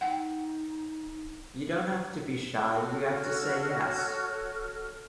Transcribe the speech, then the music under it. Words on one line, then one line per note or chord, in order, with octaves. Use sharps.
You don't have to be shy, you have to say yes.
D#4 F#5 G5
F#4 A4 C#5 F6